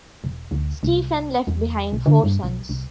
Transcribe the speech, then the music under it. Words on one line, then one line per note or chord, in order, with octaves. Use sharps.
Stephen left behind four sons.
E1
D2
C2
E2
B1
D3
G2
B1
C2